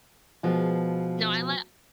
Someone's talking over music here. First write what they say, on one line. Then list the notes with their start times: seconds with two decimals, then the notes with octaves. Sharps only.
No, I li
0.43 B2 F3 G#3